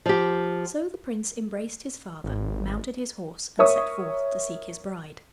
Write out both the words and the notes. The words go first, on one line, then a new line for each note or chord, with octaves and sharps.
So the prince embraced his father, mounted his horse, and set forth to seek his bride.
F3 G4
G#1
A#4 C#5 E5 C#6 D#6